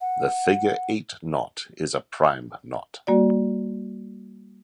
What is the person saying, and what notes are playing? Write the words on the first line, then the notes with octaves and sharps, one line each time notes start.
The figure-eight knot is a prime knot.
F#5
G3 A#3 F#4 D5